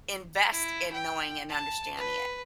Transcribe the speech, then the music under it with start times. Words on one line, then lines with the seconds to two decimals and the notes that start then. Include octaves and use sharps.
invest in knowing and understanding it.
0.51 E4
0.93 G5
1.49 A5
1.97 B4